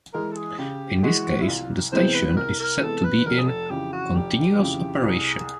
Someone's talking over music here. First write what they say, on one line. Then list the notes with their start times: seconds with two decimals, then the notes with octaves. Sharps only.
In this case the station is said to be in "continuous operation".
0.14 E3 G#3 A#4
0.31 A4
0.37 G#4
0.58 C#3 G4
1.03 E3 G#3 F#4
1.42 E4
1.48 C2 F4
1.92 C3 E3 G#3 B3 C5
2.15 B4
2.37 C2 A#4
2.60 A#4
2.81 C3 E3 G#3 B3 A4
3.04 B4
3.26 F1 A#4
3.38 G#4
3.48 A4
3.70 F2 C#3 E3 G4
3.93 F#4
4.14 F1 G4
4.59 F2 C#3 E3
5.04 C2 G#4